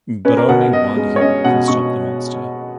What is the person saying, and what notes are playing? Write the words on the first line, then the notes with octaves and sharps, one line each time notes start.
But only one hero can stop the monster.
C#4 B4
A#4
B2 F#5
F#5
B2 D#5
G#3
C#5
C#4 D#5
B2 F#5
B2 C#6